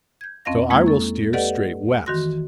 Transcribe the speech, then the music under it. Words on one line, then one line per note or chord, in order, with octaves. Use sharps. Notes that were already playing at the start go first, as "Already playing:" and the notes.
So I will steer straight west.
G6 G#6
F2 C4 C#4 D#5 F5 A#6
G#3 A#3 E4 G#6
A4 C#6
G4 A4 B4 D5 D#5 F#5
D#3 E3 F#4 C6 A#6